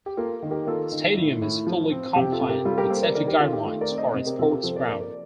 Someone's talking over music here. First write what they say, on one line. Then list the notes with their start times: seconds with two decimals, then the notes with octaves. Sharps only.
The stadium is fully compliant with safety guidelines for a sports ground.
0.06 G4
0.17 A#3 F4 A4
0.43 D#3
0.51 G4 A#4
0.67 A#3 F4 A4
0.92 D#3
1.17 A2
1.41 A2
1.67 F3
1.91 C4
2.16 C3 G4
2.32 F4 A4
2.41 C3
2.49 G4 A#4
2.65 G3 F4 A4
2.78 G4 A#4
2.90 A#3 A4 C5
3.03 A#4 D5
3.15 D#3 A#4 D5
3.27 G4 A#4
3.40 D#3 F4 A4
3.52 G4
3.64 A3 F4 A4
3.81 A#4 D5
3.89 C4
3.98 C5 D#5
4.14 C3
4.26 G4 A#4
4.39 C3 F4 A4
4.51 G4 A#4
4.64 F3 A4 C5
4.76 A#4 D5
4.88 A#3 A#4 D5
5.00 A#4 D5